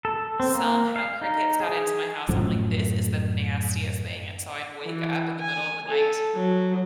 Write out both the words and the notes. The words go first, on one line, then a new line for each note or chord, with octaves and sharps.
Somehow crickets got into my house, I'm like, "This is the nastiest thing," and, so, I'd wake up in the middle of the night to
A4
C4
A#3
F5
D#4
G#4
F#2 A2 F3
E3
G#5
A4
F#3